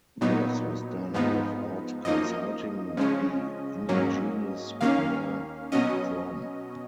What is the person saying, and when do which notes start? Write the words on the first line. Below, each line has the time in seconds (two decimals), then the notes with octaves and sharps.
This was done without consulting the indigenous Khmer-Krom.
0.21 A#2 F#3 B3 D#4
1.14 G#2 F3 B3 D#4
2.05 F#2 F3 A#3 D#4 D#5
2.97 C#3 F3 G#3 C#4
3.89 G#2 F#3 A#3 C#4
4.81 D#2 D#3 A#3 C#4 F5
5.72 B2 F#3 C#4 D#5